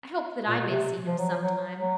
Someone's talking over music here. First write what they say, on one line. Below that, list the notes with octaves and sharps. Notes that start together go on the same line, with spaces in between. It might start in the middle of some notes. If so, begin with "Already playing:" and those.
I hope that I may see him sometime.
A#2
B2
C3
F3
F#3
F3
F#3
F#3